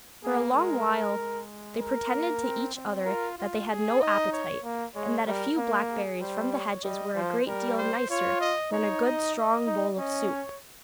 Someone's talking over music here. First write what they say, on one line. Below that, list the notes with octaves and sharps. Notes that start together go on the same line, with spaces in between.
For a long while whey pretended to each other that they had no appetite, and that a few blackberries from the hedges were a great deal nicer than a good strong bowl of soup.
A#3 G#4
G#3 A#4
G#3
G#3
A#4
A#3
C4
C4
F4 A#4
F4
G#4
D#4 D#5
C#5
A#3
G#3 C#5
G3 A#4
A#3 A#4
G#4
G3 C5
C#5
G3 D#5
F3 C5
G3 A#4
C5
F4 C#5
D#5
D#4 C#5
D#5
D#5
D#4
C#4 D#5
C#5